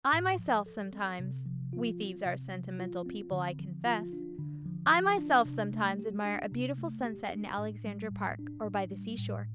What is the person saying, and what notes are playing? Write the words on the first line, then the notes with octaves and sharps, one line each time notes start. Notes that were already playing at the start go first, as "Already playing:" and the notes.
I myself sometimes--we thieves are sentimental people, I confess--I myself sometimes admire a beautiful sunset in Aleksandra Park or by the sea-shore.
A2
F3
A4
C4
C3
F3
F4
C4
C3
F3
F4
C4
D3
F3
F4
D4
D3
F3
F4
D4
C3
A3
G4
D4
C3
A3
G4
D4
A2
G3
A2
D4
A2
G3
A2